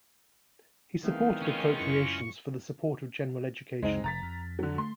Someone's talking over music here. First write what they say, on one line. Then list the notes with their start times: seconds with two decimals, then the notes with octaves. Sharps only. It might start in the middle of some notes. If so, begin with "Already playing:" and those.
He supported appropriations for the support of general education.
1.03 E2 D#3 E3 A3 C4 F5
1.42 C#4 F4
1.77 F#2 E4 C#6
3.82 C#2 F#2 G#3 C4 D#4
4.04 F1 A#5 A6 B6
4.22 F2
4.59 D3 F#3
4.78 A3 C6